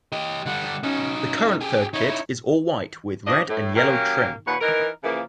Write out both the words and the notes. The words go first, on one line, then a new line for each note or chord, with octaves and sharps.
The current third kit is all white with red and yellow trim.
G4 D#5
D3 G3 F#5
C#4 D#4 F#4
C#4
G4 G#4
D#4 E4 C#5
G2 F3 D4 D#5
A2
F#3 A#3 C#4 G4 A#4
D#2 A#2 B4 C#5 F#5
E3 D#4 A#4
C#3 E3 F3 A#3